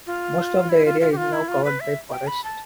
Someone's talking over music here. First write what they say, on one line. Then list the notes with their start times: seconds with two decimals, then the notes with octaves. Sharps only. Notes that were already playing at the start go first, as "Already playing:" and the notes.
Most of the area is now covered by forest.
0.07 F4
0.69 E4
0.85 F4
1.01 F4
1.12 G4
1.17 F4
1.33 E4
1.48 F4
1.64 B4
1.80 E5
2.11 G5
2.27 B5
2.44 A5